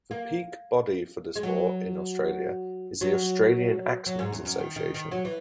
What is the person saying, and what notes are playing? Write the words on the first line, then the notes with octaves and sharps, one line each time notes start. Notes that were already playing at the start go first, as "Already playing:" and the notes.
The peak body for the sport in Australia is the Australian Axemen's Association.
A#3
G#3
F#3
F#3
F#3
G#2
E2
F#2
D#3
D#3
D#3
F#3
E3